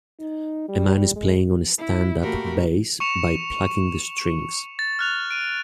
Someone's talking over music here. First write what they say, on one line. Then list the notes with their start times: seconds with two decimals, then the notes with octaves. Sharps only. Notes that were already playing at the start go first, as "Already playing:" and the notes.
A man is playing on a stand up bass by plucking the strings.
0.20 D#4
0.69 G3
1.16 G#3
1.77 E4
2.21 A#2 A3 F#4 G4 A#4 B5
3.00 C#6 C#7 E7 F7
4.79 A6
4.99 F6 F#6 F7
5.31 D7 D#7